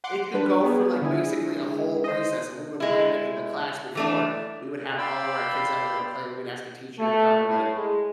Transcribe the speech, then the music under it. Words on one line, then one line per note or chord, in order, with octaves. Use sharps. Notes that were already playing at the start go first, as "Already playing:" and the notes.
it could go for, like, basically a whole recess, and we would plan it in the class before. We would have all of our kids that were gonna play and we'd ask a teacher to come and, like,
F#5 C6 D6
G3 D4 B4
G3 B3 G#4
D3 G#3 E4 G#4
C5 D#5
G#3 E4
E3 A3 D4
D5 F5 G5 B5 C6 E6
A3
A2
G#3